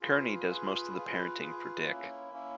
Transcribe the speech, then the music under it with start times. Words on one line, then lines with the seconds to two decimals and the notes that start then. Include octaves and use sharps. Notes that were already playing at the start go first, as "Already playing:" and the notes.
Kearney does most of the parenting for Dick.
0.01 F4 G#4 B4
0.47 F4 G#4 B4
0.93 F4 G#4 B4
1.40 F4 G#4 B4
1.86 A#3 C#4 E4
2.33 A#3 C#4 E4